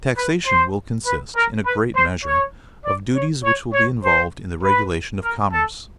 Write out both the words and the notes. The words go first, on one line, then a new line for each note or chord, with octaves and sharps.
Taxation will consist, in a great measure, of duties which will be involved in the regulation of commerce.
B4
C5
B4
A#4
B4
C5
C#5
D5
C#5
C#5
C#5
C5
B4
A#4
A4